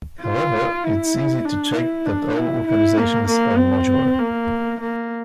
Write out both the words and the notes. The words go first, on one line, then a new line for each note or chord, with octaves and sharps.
However, it is easy to check that all localizations are modular.
F4
E4
D4
E4
D4
E4
E4
A#3
A#3
C4
A#3
A#3